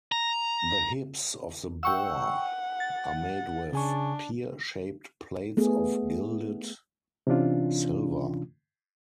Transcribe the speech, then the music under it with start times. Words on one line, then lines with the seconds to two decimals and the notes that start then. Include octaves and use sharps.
The hips of the boar are made with pear shaped plates of gilded silver.
0.12 A#5
1.83 F#5 G5 C#6 E6
2.80 A6
3.73 C#3 D4 G#5 C#6
5.57 A3 B3 G#4
7.27 C3 E3 C#4 D4 F4